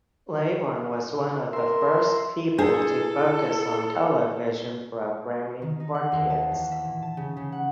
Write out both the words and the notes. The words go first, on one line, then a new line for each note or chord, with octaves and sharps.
Laybourne was one of the first people to focus on television programming for kids.
A#4 E5 C6
D4 E4 G#4 A4
D#3
D#4
F#5
D#2
A5
E2
E5
A#2
A5
C#3
C#3
F#5